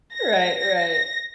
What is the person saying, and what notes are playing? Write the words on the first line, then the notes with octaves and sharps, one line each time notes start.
Right, right.
A#6